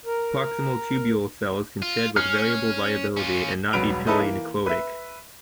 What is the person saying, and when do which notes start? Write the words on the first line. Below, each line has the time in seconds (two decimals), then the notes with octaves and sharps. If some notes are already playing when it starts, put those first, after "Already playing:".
Proximal tubule cells can shed with variable viability and not be purely "necrotic".
0.06 A#4
1.82 F4
2.16 C#4 F6 C7
3.17 C#4 F4
3.73 E1 C2 F#3 B4 D7 F7
4.06 C#4 D#4 E4 A4 B4
4.20 E3 A#3
4.66 B4 E5